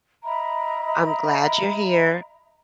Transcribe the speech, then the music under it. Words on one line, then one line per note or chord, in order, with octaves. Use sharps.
I'm glad you're here.
D#5 E5 A#5 B5